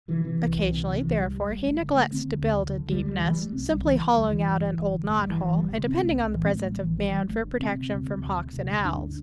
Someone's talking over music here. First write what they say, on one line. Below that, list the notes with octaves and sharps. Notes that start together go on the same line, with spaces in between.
Occasionally, therefore, he neglects to build a deep nest, simply hollowing out an old knot-hole, and depending on the presence of man for protection from hawks and owls.
C3 E3
C3 E3
C2
C2
C3
C3
C2 E3
C2 G3
G2
G1
G1 A3
D3 A3
D3 A3
D3 C4
D2
D2
D3
D3
D2 G3
D2 G3
C3 E3
G3
C3
A3
C2 C4
C2 G3
D3 E3
D3
D2 G3
D2 E3
G2
G1
G1
D3
G2 A3
G3
G1
E3
G1 E3
D3 G3
C3
C3 C4
C2 A3
C2
A2 E3
C4
A2
A3
A1 G3
A1 E3
G2 E3
E3
G1 G3
G1 A3
D3
C3 C4
C3
D2
D2
C3
C3
D2
D2
G2 D4
D4